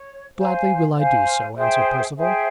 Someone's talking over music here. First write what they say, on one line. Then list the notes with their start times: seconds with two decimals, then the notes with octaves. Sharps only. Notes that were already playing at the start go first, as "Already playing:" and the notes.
"Gladly will I do so," answered Perceval.
Already playing: C#5
0.37 C5 F5 G#5
0.97 C5 F5 G#5
1.56 G#4 C5 E5 G5
2.15 G#4 C5 E5 G5